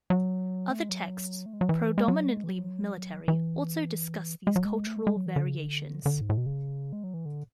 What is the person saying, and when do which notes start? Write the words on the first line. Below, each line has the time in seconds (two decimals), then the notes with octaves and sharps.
Other texts, predominantly military, also discussed these cultural variations.
0.10 F#3
0.70 A3
0.80 G#3
0.89 F#3
1.46 A3
1.53 G#3
1.61 F#3
1.69 E3
1.98 G#3
2.08 F#3
2.29 G#3
2.44 E3
2.49 F#3
3.28 E3
4.47 G#3
4.56 F#3
4.65 G#3
4.86 A3
4.96 G#3
5.07 G#3
5.16 F#3
5.26 E3
5.36 D3
5.46 C#3
5.56 D3
6.06 D3
6.21 G#2
6.30 A2
6.37 B2
6.46 C#3
6.93 G#3
7.04 F#3
7.14 E3
7.25 D3